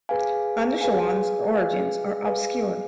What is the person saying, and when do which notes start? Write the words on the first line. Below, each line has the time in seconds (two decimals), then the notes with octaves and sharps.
Anushirwan's origins are obscure.
0.09 G#4 B4 F5 G#5
0.81 G#4 B4 F5 G#5
1.53 G#4 B4 F5 G#5
2.25 G#4 B4 F5 G#5